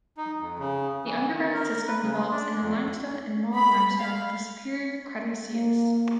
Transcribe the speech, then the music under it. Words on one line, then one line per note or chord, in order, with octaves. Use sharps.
The underground system develops in the limestone and marl-limestone of the superior Cretaceous.
D#4
F2
C#3
E3
D#3
A#4
B4
C#3
D4
F2
B5
F5
A#3